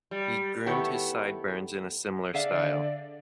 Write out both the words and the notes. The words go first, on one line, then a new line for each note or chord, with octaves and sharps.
He groomed his sideburns in a similar style.
G3
D#3 A3 B3 E4 G4 C#5
D3 G#4 D5 E5 F5